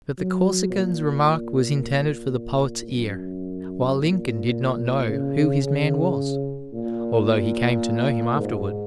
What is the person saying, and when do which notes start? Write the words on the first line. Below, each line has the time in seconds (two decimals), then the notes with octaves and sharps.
But the Corsican's remark was intended for the poet's ear, while Lincoln did not know who his man was, although he came to know him afterward.
0.18 F#3
0.72 A#2
1.81 A#2
2.90 F#2
4.00 A#2
5.08 C#3
5.63 C#3
6.73 A#2
8.36 G#2